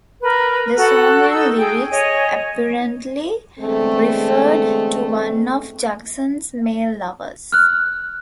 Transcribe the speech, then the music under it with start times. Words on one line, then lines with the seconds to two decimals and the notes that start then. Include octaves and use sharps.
The song and lyrics apparently referred to one of Jackson's male lovers.
0.22 A#4 B4
0.76 F#4 A4 F#5 F#6
1.32 D#4 A4 E6
1.57 G#4 G5
1.90 C#5 D#5 G#5
3.60 E2 D3 G#3 A3 C4 A4
7.52 F6 F#6